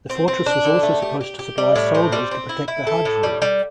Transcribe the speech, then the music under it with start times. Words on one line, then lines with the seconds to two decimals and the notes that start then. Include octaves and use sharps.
The fortress was also supposed to supply soldiers to protect the hajj route.
0.10 C4
0.28 C4
0.46 D4
0.65 D3
0.83 A3
1.02 G4
1.21 G4
1.39 G4
1.58 G3
1.76 A2
1.95 C4
2.12 G3
2.31 C4
2.49 E4
2.68 E4
2.87 A4
3.05 A2
3.23 G3
3.42 G3